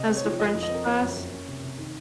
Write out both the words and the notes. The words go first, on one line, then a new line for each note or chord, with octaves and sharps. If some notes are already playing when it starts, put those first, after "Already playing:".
as the French class
Already playing: C3 D#5
C4
C#5
F3
F2 D#5
F2
D#5
C4 A#4
F3 C#5
F#2
A#3
C#4
C3
C3
D#3